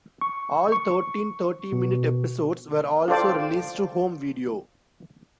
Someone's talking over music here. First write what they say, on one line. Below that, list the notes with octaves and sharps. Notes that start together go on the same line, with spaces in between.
All thirteen thirty-minute episodes were also released to home video.
C#6
C#6
B2
F4 A4 C5 D5 G5